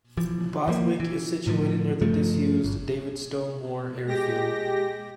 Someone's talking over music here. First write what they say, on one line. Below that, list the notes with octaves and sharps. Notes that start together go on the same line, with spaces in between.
Bowithick is situated near the disused Davidstow Moor airfield.
E3 F3
E3 F3 A#3
E3
A2 D3 E3 F3
G2 C#3 F3 A3
G1
G#3 G4 A#6